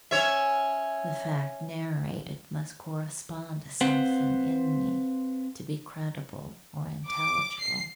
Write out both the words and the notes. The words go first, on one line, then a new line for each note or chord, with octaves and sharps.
The fact narrated must correspond to something in me to be credible or intelligible.
C#4 C#5 E5
C4 B4 C5 F5 F#5
D6
C7